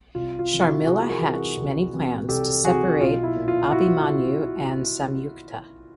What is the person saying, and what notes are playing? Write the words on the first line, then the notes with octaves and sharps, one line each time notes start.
Sharmila hatch many plans to separate Abhimanyu and Samyukta.
C2 F4
F4
C3 E3
E4 F#4
C2 F#4 G#4
G#4 A#4
C3 E3
F#4 G#4
C2
C3 E3
C2 G4 A4
C3 E3 F#4 G#4
B1 F4
E4
A#2
F4
E4 F#4